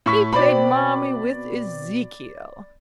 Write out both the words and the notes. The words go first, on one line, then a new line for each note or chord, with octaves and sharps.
He played Marmy with Ezekiel!
A2 C#6 B6
B2 C4 D5 B5